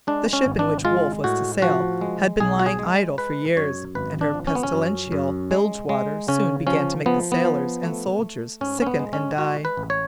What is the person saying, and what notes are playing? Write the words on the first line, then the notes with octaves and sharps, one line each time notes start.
The ship in which Wolfe was to sail had been lying idle for years; and her pestilential bilge-water soon began to make the sailors and soldiers sicken and die.
G#3 D4
C#4
G#1
D4
G#3 F4
A2 F#4
F3 F#4
G#3
B1 G#4
F#4
G#4
G#3
G#3 B4
F#2 C#5
G#1 B4
D4
F3
C#4
B3
C#4
F#2
F#2
G#3
G#3
C#3 C#4
F3 C#4
F3 B3
B3
F3
A3
A3
G#2 C#4
C#4
B3
G#3
C#4
G#3 F#4
B4
A1
C#5